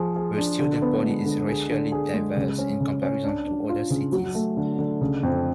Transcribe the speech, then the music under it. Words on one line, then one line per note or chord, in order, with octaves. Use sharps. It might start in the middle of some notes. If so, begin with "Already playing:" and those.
The student body is racially diverse in comparison to other cities.
Already playing: F3 G#4
G#4
D4
D3
B3
G#3
D3
G#4
D3
G#4
G#3
C#3
C#4
C#3
C#4
D4
D4
F4
C#3
F#3
A3
D3
D3
C#3
F2